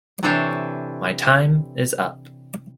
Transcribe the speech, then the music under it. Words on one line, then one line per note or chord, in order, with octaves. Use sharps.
My time is up.
C3 E3 D4 A4 C5 C#5